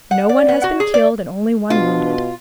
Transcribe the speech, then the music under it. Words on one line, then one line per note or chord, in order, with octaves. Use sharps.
No one has been killed and only one wounded.
F#5
D5
B3
F#4
G#4
D5
B2 D4 F4